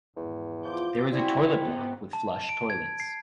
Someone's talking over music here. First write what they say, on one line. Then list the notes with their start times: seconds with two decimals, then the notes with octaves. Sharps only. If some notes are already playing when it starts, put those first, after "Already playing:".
There is a toilet block with flush toilets.
0.17 G#1 E2
0.65 F3 D6 G6
1.13 G3 C4 E4 F#4 G#4 E5
1.59 C#2 G#2 C3 B3
2.13 A5
2.49 D7
2.70 G#6
3.00 C7